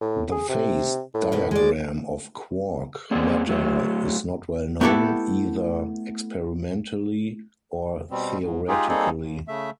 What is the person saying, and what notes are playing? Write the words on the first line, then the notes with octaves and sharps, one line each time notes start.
The phase diagram of quark matter is not well known, either experimentally or theoretically.
A2
G#4
C3
A2
F#2 B2 B4
G#3 D5
A#3 C4 G#4 D5
A2 F#3 A3
A3 B3 E4 G4 A4 F#5
B2 G3 C4
G#2
G#3 D#4 F4 G4 G#4
G3 A#3 C4 D#4 G#4 A4
D#2
C#3 A3 E5